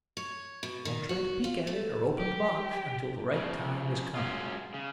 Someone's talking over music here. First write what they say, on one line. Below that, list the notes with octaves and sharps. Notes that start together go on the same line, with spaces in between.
Don't try to peek at it or open the box until the right time has come.
C#5
B2
D#3
F#4
F4
A3
G4
C#3 F3
F#3 G#3 A#3 C#4 F4
C#3